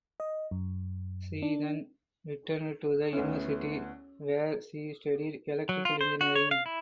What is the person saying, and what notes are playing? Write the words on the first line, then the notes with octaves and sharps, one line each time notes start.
She then returned to the University where she studied electrical engineering.
D#5
F#2
D4
D2 B3 C#4 E4
F#3
F4
C5
F#4
C#5
F5
E4